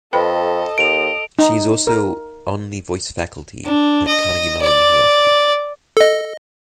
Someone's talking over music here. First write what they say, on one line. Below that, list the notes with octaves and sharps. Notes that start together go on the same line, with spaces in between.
She is also on the Voice Faculty at Carnegie Mellon University.
F2 A4 B4 D#5 G5 B5
D#2 D7 F7
D#4
A#4
D4
D#5
D5
A4 D#5